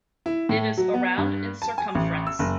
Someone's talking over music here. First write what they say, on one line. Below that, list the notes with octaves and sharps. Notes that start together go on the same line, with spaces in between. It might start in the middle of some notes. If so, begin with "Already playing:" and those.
It is around in circumference.
E4
A2
F#3
B3
G2
A5
G#5
A1
E6
F#1